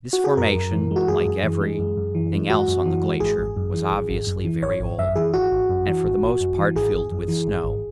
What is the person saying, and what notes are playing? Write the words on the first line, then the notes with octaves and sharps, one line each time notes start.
This formation -- like every -- thing else on the glacier-was obviously very old, and for the most part filled with snow.
F#4
G#4
F#2 A#4
F#2
E3
G#3
F#4
F#2 G#4
F#2
E3
G#3
F#2
F#2
E3
G#3
F#2 F#4
F#2
E3
G#3
G#1 G#4
G#1
F#2
E3
G#1
G#1
F#2
E3
G#1 C#5
G#1
F#2 E5
E3 G#4
G#1 F#4
G#1
F#2
E3
G#1
G#1
F#2
E3
G#1 G#4
G#1
F#2
E3
G#1
G#1